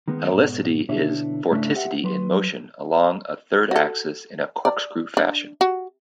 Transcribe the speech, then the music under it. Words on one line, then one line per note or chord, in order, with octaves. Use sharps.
Helicity is vorticity in motion along a third axis in a corkscrew fashion.
D#3 G#3 B3
G#2 B2
B2 D3 D4 E4 C#5 E5
G#2 C#3 A3 C#4 D4 E4
G4 C5 E5 F#5
F#3 B4 C6
F#4 A4
D5
D4
F#4